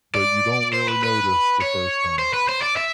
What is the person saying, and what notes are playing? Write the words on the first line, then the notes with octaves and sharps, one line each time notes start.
but you don't really notice the first time.
D5
C5
B4
B4
C#5
C5
B4
C5
D5
E5